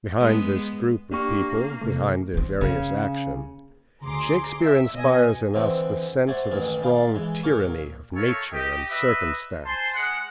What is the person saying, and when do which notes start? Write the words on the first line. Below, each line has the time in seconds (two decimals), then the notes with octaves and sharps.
Behind this group of people, behind their various action, Shakespeare inspires in us the sense of a strong tyranny of nature and circumstance.
0.19 G#3 B3
1.11 A#3 D4 G4 C#6
1.81 C3 A3
2.34 D#3 C4
2.61 C#3 A#3
4.02 D2 G#4 A#5 C6 D6
4.62 E5
4.95 B2 D#5 G#5
5.54 D3 E3 C4 D#4 E4 F#4
6.27 F#4 C5 D5 E5 G#5 A#5
6.50 A1 D#3 E3 D4 G#4
6.81 D4 D#4 D5 F5 A#5
7.14 E3 G#3
7.43 A#2 A#4 G#5 A#5 C#6 D6
8.16 A3 A#3 A4 C#5
8.52 G4 D#5
8.89 B4 D#5 E5
9.65 C5 G#5 A5 C6
9.95 G#3 F#5